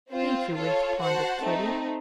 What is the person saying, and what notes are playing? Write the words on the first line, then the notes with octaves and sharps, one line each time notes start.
"Thank you," responded Kitty.
C4 F4 C5
F4 A4 C#5
F#4 C5 F#5 A5
A3 C4 D#4